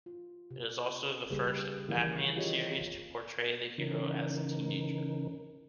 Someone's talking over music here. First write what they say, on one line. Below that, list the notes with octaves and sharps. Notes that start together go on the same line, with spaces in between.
It is also the first "Batman" series to portray the hero as a teenager.
F4
C3
C#3 G3 A#3 G4 G#4 B4
D#3 E3 A#3 C#4 E4
F4 G4 G#4 C#5 D#5
C#3 E3 C#4 D#4 A#4